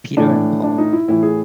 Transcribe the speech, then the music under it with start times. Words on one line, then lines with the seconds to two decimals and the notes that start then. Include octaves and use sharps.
Peter and Paul.
0.17 A2 E3 D4
0.63 D4
0.78 D#4
0.93 E4
1.08 A2 E3 E4
1.23 G#4